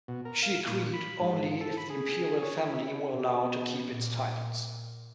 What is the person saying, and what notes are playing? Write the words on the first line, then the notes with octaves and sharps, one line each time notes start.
She agreed only if the imperial family were allowed to keep its titles.
B2
A#4
F5
A#2
B5
G#2
A4
B5
G#4
C#5
E4
B2
A#2